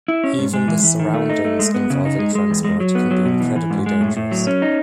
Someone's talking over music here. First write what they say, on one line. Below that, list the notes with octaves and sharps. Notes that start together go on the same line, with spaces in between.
Even the surroundings involving transport can be incredibly dangerous.
E4
C#4
G#2
G#3
E3
E3
D#3
A3
D#4
A3
G#3
B3
C#3
D#4
G#3
G#3
E2
G#3
F#3
B3
F#3
B2
E3
E3
G#2
G#3
A2
A2
F#3
C#4
D#4